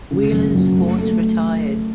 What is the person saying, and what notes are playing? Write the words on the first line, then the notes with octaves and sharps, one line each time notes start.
Wheeler's force retired.
C#3
F#2
F#3
A3
A3